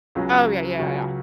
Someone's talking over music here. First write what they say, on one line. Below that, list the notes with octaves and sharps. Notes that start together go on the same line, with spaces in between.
Oh, yeah, yeah, yeah, yeah.
C#2 C#3 F#3 C#4 F#4
C#2 C#3 F#3 C#4 F#4